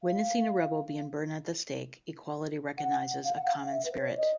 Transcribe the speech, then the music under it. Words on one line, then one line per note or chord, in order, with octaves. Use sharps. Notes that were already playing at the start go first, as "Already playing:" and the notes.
Witnessing a rebel being burned at the stake, Equality recognizes a common spirit.
F5
F#5
F#5
F5
F#5
F5
E5
B4
C5
C#5
D5
D#5